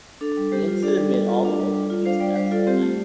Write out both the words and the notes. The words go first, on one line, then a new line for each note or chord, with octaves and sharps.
The incident made all the local newscasts that night.
D4 A4
G3
G3 G4 C5
F4
D4 A4 D5
G3
G3
F4
D4
G3
G3
F4
D4 C5 F5
G3 D5 G5
G3 C5 F5
F4 A4 D5
C4 G4 C5
A3